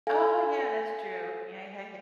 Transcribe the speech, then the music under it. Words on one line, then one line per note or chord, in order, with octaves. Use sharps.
Oh, yeah, that's true. Yeah, yeah,
A4 F5 G#5